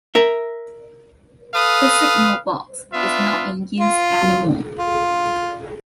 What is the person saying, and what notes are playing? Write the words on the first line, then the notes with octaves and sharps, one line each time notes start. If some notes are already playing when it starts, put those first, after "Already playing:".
The signal box is not in use any more.
A#4 E5
A4 B4 F5 D#6
B3 D4 F4 E5
F4
F4